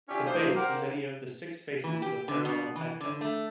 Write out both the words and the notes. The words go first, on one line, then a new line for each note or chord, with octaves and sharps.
The base is any of the six faces of the parallelepiped.
C#4 D4 E4 F4 G4
D2 A#3 D4 D#4 C5
G4 A#4 C5 D5 F5 F#5
E3
G4
D3
B2
E3
D3
A3